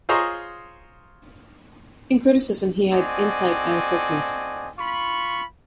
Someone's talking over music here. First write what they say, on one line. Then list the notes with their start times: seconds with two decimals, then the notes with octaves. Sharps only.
In criticism he had insight and quickness.
0.09 F4 G#4 C5 C#5 D#5 A#5
2.93 C4 F#4 A4 D5 D#5 G#5
4.78 F4 B5 C#6